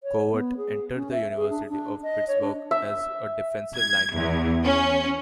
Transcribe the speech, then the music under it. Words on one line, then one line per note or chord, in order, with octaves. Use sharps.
Covert entered the University of Pittsburgh as a defensive lineman.
C#5
B3
G#4
C#4
E5
G#4
D4
D4
D#5
C#5
D4
E5
G#6
E2
C#4